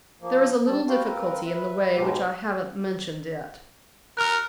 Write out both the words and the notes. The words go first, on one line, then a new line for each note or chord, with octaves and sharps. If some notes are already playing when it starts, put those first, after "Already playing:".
There is a little difficulty in the way which I haven't mentioned yet.
F3 A#3
G3 A5
F#4 G4 B4 C5 F5 G5
C4 F4 A#4 B4
B4 E5
G#2 B2 F#3 G#3 B3 G4
A#4 F6 F#6